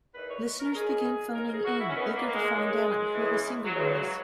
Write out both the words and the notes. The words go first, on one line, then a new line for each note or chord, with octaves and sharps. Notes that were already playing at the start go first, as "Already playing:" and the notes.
Listeners began phoning in, eager to find out who the singer was.
E2 D#3 B4
C#5
A#4
F#2 D#3 G#4
F#2 D#3 A#4
A#4
G#4
F#4
E4
C#4
F#2 D#3 B3
A#3
A#3
G#3
F#2 D#3 G#3
E2 C#3 E3
F#3
E2 C#3 E3 G#3
F#3